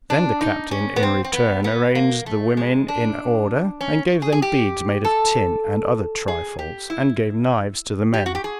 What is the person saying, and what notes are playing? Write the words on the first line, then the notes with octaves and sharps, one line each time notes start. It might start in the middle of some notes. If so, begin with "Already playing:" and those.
Then the captain in return arranged the women in order and gave them beads made of tin, and other trifles, and gave knives to the men.
D4
D#4
C#4
B3
C4
C4
B3
B3
A#3
A3
G#3
D4
C#4
G#4
G#4
G4
A4
G#4
G4
E4
G4
F#4
G4
G#4